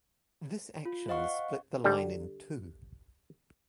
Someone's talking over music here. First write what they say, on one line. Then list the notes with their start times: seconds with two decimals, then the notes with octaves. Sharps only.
This action split the line in two.
0.85 F4
1.08 C5 D#5 F5 F#5 C#6
1.84 D3 G3